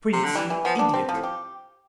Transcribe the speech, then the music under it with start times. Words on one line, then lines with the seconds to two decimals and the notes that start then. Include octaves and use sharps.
"Prince, you idiot!"
0.13 C3
0.24 D3
0.35 E3 G3
0.50 E3
0.65 F3 B3
0.79 D4
0.94 G3 C4
1.09 A2 F3
1.23 G4